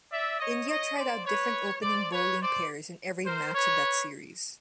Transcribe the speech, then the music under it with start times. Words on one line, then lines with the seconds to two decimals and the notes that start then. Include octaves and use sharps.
India tried out different opening bowling pairs in every match of that series.
0.10 D5 E5
0.39 C#5 D#5
0.68 C#5 D#5
0.97 C5 D5
1.25 B4 C#5
1.82 C5 D5
2.12 B4 C#5
2.40 C5 D5
3.26 A#4 C5
3.55 B4 C#5